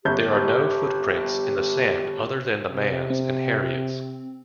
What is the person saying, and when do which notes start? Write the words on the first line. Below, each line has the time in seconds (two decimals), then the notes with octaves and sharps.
There are no footprints in the sand other than the man's and Harriet's.
0.05 G1 G4 G6
2.72 C3
3.10 C4